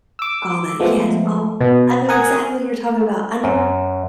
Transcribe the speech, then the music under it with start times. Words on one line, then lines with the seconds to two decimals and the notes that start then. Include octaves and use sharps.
Oh, that yes. Oh, I know exactly who you're talking about. I know
0.19 D6 E6
0.79 F3 G#3 A3 B3
1.61 B2
2.09 A#4 F#5 G#5 D#6
3.44 F#2